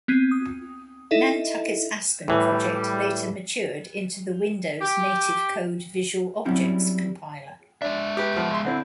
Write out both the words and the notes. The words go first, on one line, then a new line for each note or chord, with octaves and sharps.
Nantucket's Aspen project later matured into the Windows native-code Visual Objects compiler.
B3 C4 G#6 D#7
D#6
D#4 E4 A4 D#5 E5
A2 E3 G3
G4
F#3 G3 C4 C#4 E4
G#3 D4 E5
G4 B4
F3 B3
C#2 C6
D3 C4 E4